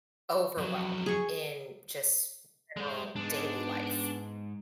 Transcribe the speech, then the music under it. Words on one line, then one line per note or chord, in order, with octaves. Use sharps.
overwhelm, in, just, general daily life.
F2 F#3
G#4 C#6
G#3 C5
G#2 G#3 B3 D4